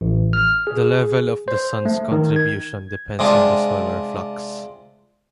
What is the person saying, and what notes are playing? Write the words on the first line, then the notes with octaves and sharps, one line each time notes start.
The level of the sun's contribution depends on the solar flux.
A1
F6
G#4
C5
A3
D#3
G#6
C3 G#3 D4 F4